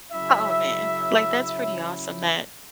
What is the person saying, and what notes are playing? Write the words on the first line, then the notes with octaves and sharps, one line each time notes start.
Oh, man, like, that's pretty awesome that
C#3 F#3 C#4 E4 E5